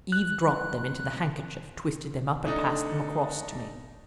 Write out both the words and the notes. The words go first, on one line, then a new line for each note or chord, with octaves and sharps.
Eve dropped them into the handkerchief, twisted them up and passed them across to me.
F#6
A3 D4 D#4